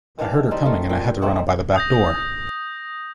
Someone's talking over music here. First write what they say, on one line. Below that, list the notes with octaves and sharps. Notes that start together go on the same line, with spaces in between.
I heard her coming and I had to run out by the back door!
D#3 E3 D4 F5
G3 C4 D#4
A3 F4 A#4
A#2 G5
A3 C4 D#4 F#5
D#6 G6 A#6